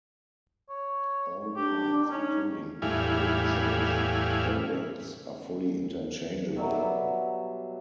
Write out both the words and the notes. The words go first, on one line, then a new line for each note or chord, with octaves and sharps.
All parts, including the quick-change barrels, are fully interchangeable.
C#5
D4 G4
C#4 D#4
E2 A2 G3 E4 F5 G#5
B2 F#3 G3 E5